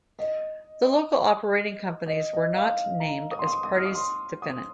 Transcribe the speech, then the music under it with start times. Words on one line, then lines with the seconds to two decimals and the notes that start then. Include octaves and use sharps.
The local operating companies were not named as parties defendant.
0.19 D#5
2.06 D#5
2.33 D#5
2.54 F5
3.00 A#5
3.31 D#6
3.39 C6
3.47 D#6
3.64 D#6
3.75 F6
3.85 D#6
3.95 C6
4.42 D#6